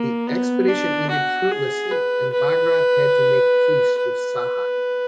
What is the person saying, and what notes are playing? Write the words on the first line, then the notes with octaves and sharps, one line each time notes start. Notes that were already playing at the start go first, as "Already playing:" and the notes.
The expedition ended fruitlessly and Bagrat had to make peace with Sahak.
Already playing: A#3
B3
D4
F#4
G#4
B4
B4
B4